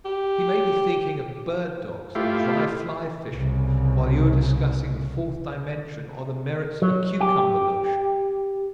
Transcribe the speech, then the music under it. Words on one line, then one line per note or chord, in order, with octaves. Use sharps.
He may be thinking of bird dogs or dry fly fishing while you are discussing the fourth dimension, or the merits of a cucumber lotion.
G4
A3 E4 F4 G4
C2 C#3
F#3
G4